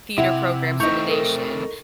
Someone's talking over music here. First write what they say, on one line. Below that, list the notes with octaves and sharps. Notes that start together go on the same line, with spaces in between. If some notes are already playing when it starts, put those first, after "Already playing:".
theater programs in the nation,
C3 E4 F#5 G5 F7
A3 C4 D#4 E4 C#6 G6 F7
A4 A#4